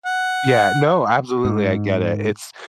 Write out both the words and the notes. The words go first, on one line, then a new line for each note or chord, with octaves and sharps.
Yeah, no, absolutely. I get it, it's
F#5
G#2